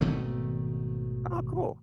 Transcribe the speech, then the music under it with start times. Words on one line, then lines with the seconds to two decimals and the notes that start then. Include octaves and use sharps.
Oh, cool.
0.01 G#1 B2 D#3 A3